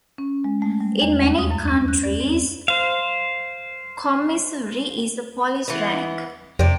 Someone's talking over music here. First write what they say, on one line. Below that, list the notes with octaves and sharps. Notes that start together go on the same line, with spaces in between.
In many countries, commissary is a police rank.
C#4
G#3
A3
G3
E2
D#2
D#6
F#2
C#4
F#6
D5
C4
C5 F5
E3 B3
F2 C3 D5